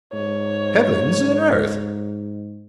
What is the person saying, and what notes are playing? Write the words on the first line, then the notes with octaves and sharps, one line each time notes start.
Heavens and earth!
G#2 C#5